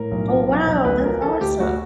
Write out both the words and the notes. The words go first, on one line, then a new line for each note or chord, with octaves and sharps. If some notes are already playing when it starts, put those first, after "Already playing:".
Oh wow, that's awesome.
Already playing: A2 A#4
B1
F3
B1
B1
D2 B4
F3 A#4
F3 A4
D2 G4
D2 F#4